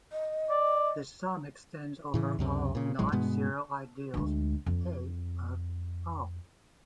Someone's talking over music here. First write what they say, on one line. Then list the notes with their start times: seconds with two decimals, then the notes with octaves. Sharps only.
The sum extends over all non-zero ideals "a" of O.
0.12 D#5
0.50 D5
2.14 A2 C#3 E3
2.39 C#2 F#2 C3
2.75 A#2 C#3
2.99 G1 A2 F#3 G#3
3.12 G2 B2 G#3 B3
4.14 D2 G#3
4.66 F2